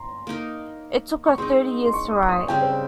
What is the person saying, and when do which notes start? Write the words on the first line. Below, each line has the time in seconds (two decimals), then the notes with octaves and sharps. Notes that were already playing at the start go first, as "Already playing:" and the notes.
It took her thirty years to write.
Already playing: A#5 C6
0.27 A#3 D#4 A#4
1.26 C#6
1.38 G#3 C4 D#4 C6
1.85 C6
1.93 C#6
2.11 D#6
2.29 D#6
2.48 C#3 G3 C4 G5
2.62 C5